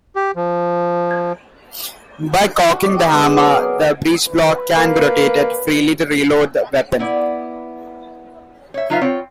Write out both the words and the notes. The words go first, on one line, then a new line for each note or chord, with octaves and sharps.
By cocking the hammer, the breechblock can be rotated freely to reload the weapon.
G4
F3
F#4
D5 D#5
G#3 B3
F#3 G#4
A#4
B4
A#3
B3 E4 D5
C#5 E5
F#3 D#4 F4 B4 E5 F5
C4 F4 C#5 G5